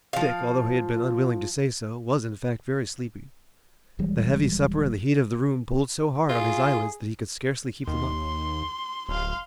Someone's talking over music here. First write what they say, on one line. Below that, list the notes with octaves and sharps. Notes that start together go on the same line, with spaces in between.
Dick, although he had been unwilling to say so, was in fact very sleepy. The heavy supper and the heat of the room pulled so hard on his eyelids that he could scarcely keep them up.
F3 F5
D#1 E3 G3 G#3
F4 G#4
D#2 C6
D1 F5 C6